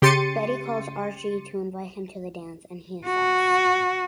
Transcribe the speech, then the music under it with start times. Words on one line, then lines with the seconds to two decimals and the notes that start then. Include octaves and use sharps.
Betty calls Archie to invite him to the dance, and he accepts.
0.02 C#3 G4 C6 A6 C#7 D#7
3.06 F#4